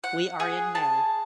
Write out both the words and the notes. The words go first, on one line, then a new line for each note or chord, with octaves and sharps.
We are in May.
F#5
G#4
A5